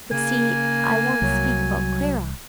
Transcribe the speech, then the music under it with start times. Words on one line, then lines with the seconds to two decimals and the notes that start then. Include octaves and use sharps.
But see, I want to speak about Clara.
0.12 C#3 A#3 G#5
1.22 C2 F#3